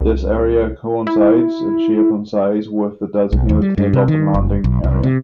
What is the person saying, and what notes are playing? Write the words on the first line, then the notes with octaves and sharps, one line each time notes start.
This area coincides in shape and size with the designated take-off and landing area.
C2
E4
B1
D#2
G3
G2
C3
D#3
F#1
B1
C2
C3